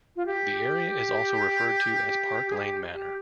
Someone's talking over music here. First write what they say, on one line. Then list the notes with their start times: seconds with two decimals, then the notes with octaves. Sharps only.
The area is also referred to as Park Layne Manor.
0.16 F4
0.26 G4
2.50 G#4
2.56 G4
2.94 G4